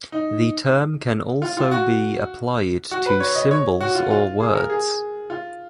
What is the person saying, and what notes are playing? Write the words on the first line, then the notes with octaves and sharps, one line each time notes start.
The term can also be applied to symbols or words.
D#4
F4
F4
F#4
F#4
B4
C#5
D#5
C#5
F#4
F4
F4
G#4
A#4
G#4
F4